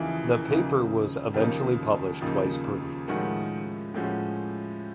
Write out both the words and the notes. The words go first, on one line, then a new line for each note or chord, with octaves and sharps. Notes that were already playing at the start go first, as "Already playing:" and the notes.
The paper was eventually published twice per week.
Already playing: D#2 C#3 E3 F3 A#3 D#4
D#2 C#3 F3 A#3 D#4
D#2 C#3 F3 A#3 D#4
D#2 C#3 F3 A#3 D#4
A2 D#3 F3 G#3 C#4 F#4
A2 F3 G#3 C#4 F#4